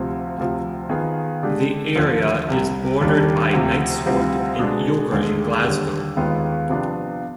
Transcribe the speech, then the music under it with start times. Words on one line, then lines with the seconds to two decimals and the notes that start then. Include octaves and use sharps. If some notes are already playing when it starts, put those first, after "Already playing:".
The area is bordered by Knightswood and Yoker in Glasgow.
Already playing: D2 C3 F3 C4 F4
0.38 D2 C3 F3
0.89 D#3 B3 F4 G#4
1.43 D3 G#3 D4 G4
1.95 D#2 D3 F3
2.48 C2 C3 G3
3.01 D#2 D#3 G3 D4
3.53 D2 C3 F3
4.06 D2 C3 G3 C4 F4
4.59 B2 G#3 D4 G#4
5.12 D#2 D3 G#3
5.64 D#2 D3 G3
6.16 D#2 D#3 G#3 B3 F4
6.69 C3 F3 B3 D4 F4